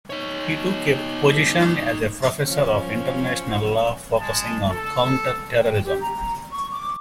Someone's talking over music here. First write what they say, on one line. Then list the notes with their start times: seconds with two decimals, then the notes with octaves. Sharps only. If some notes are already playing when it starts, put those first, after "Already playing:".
He took a position as a professor of International Law, focusing on counter-terrorism.
0.10 D#4 C#5
2.44 F3 C#4
4.18 G#3 A5
4.70 A4
5.60 G5
5.85 G4
6.00 A#5
6.50 C#6
6.72 D6